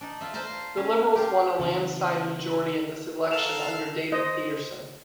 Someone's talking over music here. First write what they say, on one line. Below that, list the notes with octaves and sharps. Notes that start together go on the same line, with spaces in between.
The Liberals won a landslide majority in this election under David Peterson.
D4 D#4
F4 E5
B4 C5 F5 A5 A#5
C#4
F4 G4
C#3 E3
A4 A#4 F5 E7 F7
C5 D#5